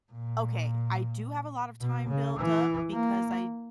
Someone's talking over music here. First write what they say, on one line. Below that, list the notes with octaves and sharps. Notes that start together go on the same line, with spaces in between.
Okay, I do have a lot of time built up, because I
A#2
B2
C#3
E3
A#3